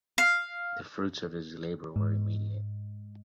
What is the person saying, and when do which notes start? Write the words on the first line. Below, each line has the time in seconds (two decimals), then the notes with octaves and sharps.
The fruits of his labor were immediate.
0.18 F5
1.96 G#2